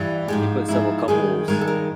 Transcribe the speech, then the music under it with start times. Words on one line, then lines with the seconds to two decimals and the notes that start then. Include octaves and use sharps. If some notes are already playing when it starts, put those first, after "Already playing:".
they put several couples
Already playing: G2 E3 G3
0.28 G#2 F3 G#3 G4
0.68 G#2 F3 G#3 E4
1.08 G2 D#3 G#3 G#4
1.48 G2 D#3 G#3 A#4
1.61 A4
1.67 A#4